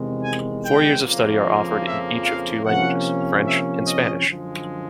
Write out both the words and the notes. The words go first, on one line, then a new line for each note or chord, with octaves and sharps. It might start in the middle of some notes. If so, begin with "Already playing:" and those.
Four years of study are offered in each of two languages: French and Spanish.
Already playing: E2 C3 D#3 G#3
G#5
G5
F2 C#3 F3 A#3
E5
F5
C3 F3 A#3 C#4 F#5
E5
D#5
F#2 D3 F3 G#3